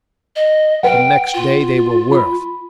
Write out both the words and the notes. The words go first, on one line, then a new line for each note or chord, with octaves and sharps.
The next day they were worse.
D#5
B4 F#5 G5
F4
B5